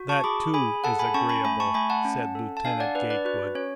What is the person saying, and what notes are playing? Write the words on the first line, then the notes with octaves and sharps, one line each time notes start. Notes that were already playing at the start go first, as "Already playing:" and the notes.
"That, too, is agreeable," said Lieutenant Gatewood.
Already playing: F#4
A5 C#6
G#4 B5 D6
G#4 G#5 B5
A4 F#5 A5
G#5 B5
C#4 A5 C#6
G#5 B5
A3 G#5 B5
A5 C#6
A3 G#5 B5
F#5 A5
C#4
A4
A5
D4 F5 G#5
D5 F#5
D4 B4 D5
B4 D5
F#4 B4
C#4 C#5